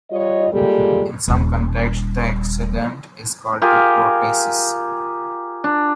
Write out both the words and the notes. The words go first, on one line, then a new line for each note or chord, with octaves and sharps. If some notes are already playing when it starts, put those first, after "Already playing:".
In some contexts the antecedent is called the protasis.
G3 F4 C#5 D#5
G3 G#3 A#3 F4 G4 A4
D#1 G3
F4 G4 G#4 A#4
D4